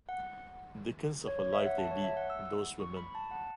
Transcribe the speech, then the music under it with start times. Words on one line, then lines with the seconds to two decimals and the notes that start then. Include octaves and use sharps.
Dickens of a life they lead, those women.
0.09 F#5
1.28 C#5
1.40 C#5
1.53 E5
1.66 F#5
1.78 A5
1.91 C#5
2.04 E5
2.17 F#5
2.30 E6
2.80 C#6
2.97 B5
3.15 A5
3.31 F#5